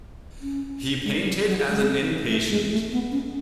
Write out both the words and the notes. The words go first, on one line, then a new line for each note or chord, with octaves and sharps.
He painted as an inpatient.
C#4
G#3
F#3
F#3
G#3
A3
G#3
A3
B3
C#4